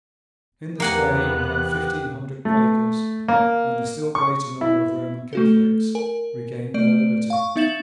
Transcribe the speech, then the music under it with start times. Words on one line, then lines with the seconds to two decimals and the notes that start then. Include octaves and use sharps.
In this way about fifteen hundred Quakers, and a still greater number of Roman Catholics, regained their liberty.
0.80 E2 C3 A#3 B3 G4 F#5 G#5 F#6
2.45 A3
3.28 A#3
4.15 C#6
4.61 E4
5.33 A3 F#4 A4
5.95 A#4 G#5
6.74 A3 D5 D7
7.30 F5 C#6
7.56 B3 D#4 E5 A6 E7 F#7